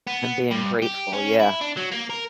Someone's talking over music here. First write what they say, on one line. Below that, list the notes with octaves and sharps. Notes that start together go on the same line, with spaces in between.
And being grateful. Yeah.
B3
G2
G4
C#4
E4
D4
F#3
A#3
A#4